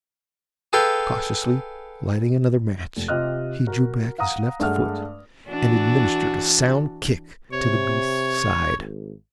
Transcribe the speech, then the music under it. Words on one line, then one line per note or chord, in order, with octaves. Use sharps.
Cautiously lighting another match he drew back his left foot and administered a sound kick to the beast's side.
G#4 A4 B4 F5 G5 G#5
F1
C3 F4 G4 D#5 F6 F#6
F#4 A#4
F5 F#5 A#5 D#6
G2 G#3 A3 G#4 F#5 F6
E3 D4 F#4
C3 C#5
G#1